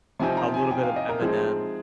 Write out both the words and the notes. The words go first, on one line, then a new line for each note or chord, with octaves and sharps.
a little bit of Eminem
C3 F3 C4 D#4 G#5
A#5
G#5
G5
F5
D#5
A#4
F3 G#3 C4 D#4 G#4